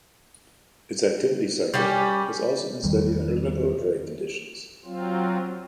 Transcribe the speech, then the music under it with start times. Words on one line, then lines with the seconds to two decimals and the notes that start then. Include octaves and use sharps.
Its activity cycle has also been studied under laboratory conditions.
1.74 G3 C#4 G4
2.84 E2 D#3 F3 G3
4.85 F#3 C4 F4